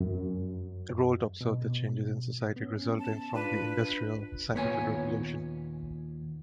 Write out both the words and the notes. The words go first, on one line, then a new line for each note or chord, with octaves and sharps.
Rolt observed the changes in society resulting from the industrial-scientific revolution.
F#2
B2
B3 C#4
A5
D4 F4 B4
D#2 A#2 B3 C#4 C#5 G#5